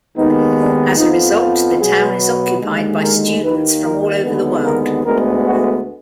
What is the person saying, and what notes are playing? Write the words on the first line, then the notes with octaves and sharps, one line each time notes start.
As a result, the town is occupied by students from all over the world.
D#2 D#3 G#3 B3 D#4
D4
F2 F3 B3 D#4
F4
B2 F#3 B3 G#4
D#2 D3 G#3
A#4
D#2 D#3 A#3 B4
A#4
D#2 D3 G#3 B3 B4
A#4
D2 D3 G#3 B3 A#4
F#4